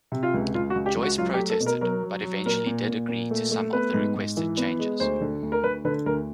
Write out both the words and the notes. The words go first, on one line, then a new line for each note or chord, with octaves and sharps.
Joyce protested, but eventually did agree to some of the requested changes.
C3
F4
C#2
C#2 F4
F#4
C#2
G4
C#2
F#4
F#3 F4
G4
A3
A4
B2
A#4
F#3 A#4
F#3
F#3
A#2 A#4
A#2
A#2
A#2
A3
A3
B3 B4
G#2
G#2
E3
B3
G#3
D2 C5
D3
D2
A#4
D2 B4
D3 B4
D2 A#4